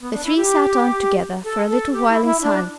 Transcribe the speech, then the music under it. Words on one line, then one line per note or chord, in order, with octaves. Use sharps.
The three sat on together for a little while in silence.
B3
D4
E4
G4
A4
A4
G4
E4
E4
D4